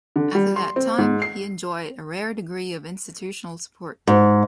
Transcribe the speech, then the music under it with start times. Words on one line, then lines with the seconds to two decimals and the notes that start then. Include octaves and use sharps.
After that time, he enjoyed a rare degree of institutional support.
0.16 D3
0.35 G3
0.56 C6
0.76 C4
0.98 G#2
1.22 C7
4.07 G#2